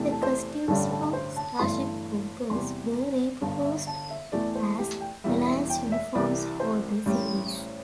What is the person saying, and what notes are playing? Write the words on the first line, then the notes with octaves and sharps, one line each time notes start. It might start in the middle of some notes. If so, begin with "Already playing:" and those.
The costumes from "Starship Troopers" were repurposed as Alliance uniforms for the series.
Already playing: E2 C3 E3 A3
A4
C5
A1 G2 D3 G3 A4
A4
C5
A5
G1 G2 E3 A3 C6
E2 C3 G3 C6
G1 G2 D3 A5
E5
A5
E5
E2 E3 A3 D5
C5
G4
G5
E1 E2 E3 G3 E5
E5
G5
E5
C2 C3 E3 G3 D5
C5
A1 A2 G3